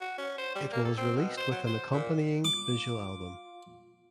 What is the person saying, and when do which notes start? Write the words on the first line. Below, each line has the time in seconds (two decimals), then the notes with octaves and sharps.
It was released with an accompanying visual album.
0.01 F#4
0.18 C#4
0.38 C5
0.55 G3
0.72 A#3
0.85 A4
0.97 C4
1.16 B2
1.37 C5
1.51 F#3
1.67 C5
1.93 A#2
2.45 F4 D6